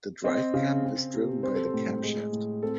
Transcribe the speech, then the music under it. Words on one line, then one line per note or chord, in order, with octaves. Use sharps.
The drive cam is driven by the camshaft.
C4 D#5
C#3
C4
C3
C4 C5
A4
C5
A2
G#3
A2
C4 A4